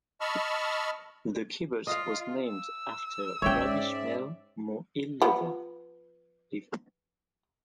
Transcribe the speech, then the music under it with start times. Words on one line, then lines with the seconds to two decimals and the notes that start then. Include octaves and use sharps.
The kibbutz was named after Rabbi Shmuel Mohilever.
0.21 D#5 A5 B5 C#6 E6 F6
1.87 F4 D#5 F5
2.47 E6
3.42 G#2 G#3 C#4 C#5 D5 E5 G5
5.22 F3 B3